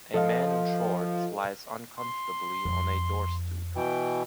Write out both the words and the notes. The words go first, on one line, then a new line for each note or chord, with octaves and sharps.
A man in shorts lies uncomfortably on a door stoop.
F3 A4 D#5 F5
C6
F2
B2 E3 G5